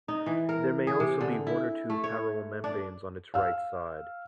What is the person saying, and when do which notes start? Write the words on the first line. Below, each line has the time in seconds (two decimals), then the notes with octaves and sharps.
There may also be one or two paroral membranes on its right side.
0.08 D#4
0.26 E3
0.49 A#4
0.87 G#4
1.00 C3
1.21 D3
1.47 E4
1.90 A3
2.04 C#5
2.64 D4
3.34 F5 E6